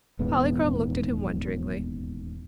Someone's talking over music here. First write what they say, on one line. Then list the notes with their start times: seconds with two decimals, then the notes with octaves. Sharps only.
Polychrome looked at him wonderingly.
0.19 D#1 E2 G#2 B3